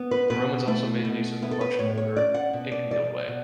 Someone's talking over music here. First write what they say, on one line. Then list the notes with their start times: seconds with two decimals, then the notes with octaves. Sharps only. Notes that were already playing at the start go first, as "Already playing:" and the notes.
The Romans also made use of the much older Icknield Way.
Already playing: B3
0.11 B4
0.30 B2 B4
0.67 A3 E4
1.05 B2
1.42 B3 E4
1.51 A4
1.61 B4
1.79 A2 C#5
1.97 C#5
2.16 C#4 D5
2.34 F#5
2.53 B2
2.72 D5
2.90 B3 D5
3.28 B2